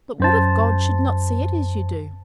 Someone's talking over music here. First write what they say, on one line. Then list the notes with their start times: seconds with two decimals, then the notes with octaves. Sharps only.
"But what if God should not see it as you do?"
0.20 F#2 C5 A5